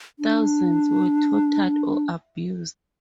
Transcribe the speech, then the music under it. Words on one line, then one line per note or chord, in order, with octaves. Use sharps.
Thousands were tortured or abused.
D4